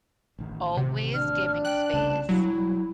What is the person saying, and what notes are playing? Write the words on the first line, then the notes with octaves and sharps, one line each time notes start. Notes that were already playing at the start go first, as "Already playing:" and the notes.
always giving space.
A1 D#3
C3
D4 F6
G5 F#6
C2 C#3 A3 A5
E1 F#3 G3 E4